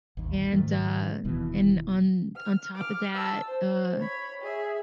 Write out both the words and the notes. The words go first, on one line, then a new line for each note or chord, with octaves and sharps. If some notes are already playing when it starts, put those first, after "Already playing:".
And, uh, and on on top of that, uh,
A1 D#2
G#2 D#3 F3 A3
D#1 D#2 B2 E3
F6
D6 F6
A5 E6
C5
C#5 B5
G#4 E5